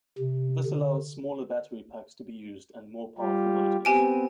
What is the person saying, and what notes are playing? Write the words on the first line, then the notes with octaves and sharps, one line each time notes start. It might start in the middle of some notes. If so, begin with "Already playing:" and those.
This allows smaller battery packs to be used, and more powerful motors.
C3
D3
G3 F4 G4
B3 C4 G4 G#5 D7